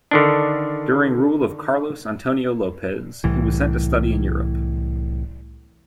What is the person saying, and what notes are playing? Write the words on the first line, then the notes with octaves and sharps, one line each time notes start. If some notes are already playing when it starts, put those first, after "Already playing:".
During rule of Carlos Antonio Lopez he was sent to study in Europe.
D3 D#3 D4
C2 A2 E3